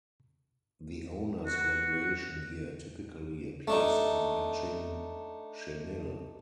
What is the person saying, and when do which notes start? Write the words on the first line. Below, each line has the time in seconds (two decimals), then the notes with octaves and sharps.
The owner's graduation year typically appears in matching chenille.
1.46 F#4
3.68 A3 D4 D#4